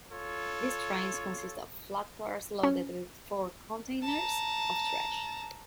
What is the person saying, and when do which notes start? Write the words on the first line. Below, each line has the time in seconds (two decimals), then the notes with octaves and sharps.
These trains consist of flatcars loaded with four containers of trash.
0.11 F4 A4 C#5
2.63 C#4
4.03 A5 A#5